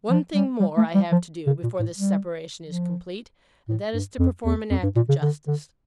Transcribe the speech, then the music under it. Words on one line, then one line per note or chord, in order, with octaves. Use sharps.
'One thing more I have to do, before this separation is complete, and that is to perform an act of justice.
F3
G3
G3
A3
G3
F3
C#3
A#2
A2
G3
F3
A2
G2
F2
E2
F2
G2
A#2
C#3
D3
D3